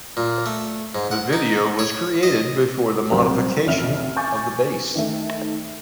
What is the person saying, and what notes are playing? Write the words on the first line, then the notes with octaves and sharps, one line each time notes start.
The video was created before the modification of the bass.
A#2
A3
G#2
F#5
D#4
C#5
D#5
C2 F#3 G3 C4
A1 F2 E5 F6 F7
G#5 C#6 D6 G6 A6
D#3 A3